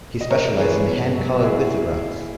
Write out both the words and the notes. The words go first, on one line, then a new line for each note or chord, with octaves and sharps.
He specialized in hand-colored lithographs.
D#5
C#3 A#4 C#5
E3 G#3 G#4 B4
B2
F#3
F#4
A#2 E4 G#4